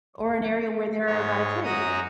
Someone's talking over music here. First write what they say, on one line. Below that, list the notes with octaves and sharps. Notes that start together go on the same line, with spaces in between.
Or an area where there are a lot of kids?
G#2 C#5
F#2 F#4 A#5 D#6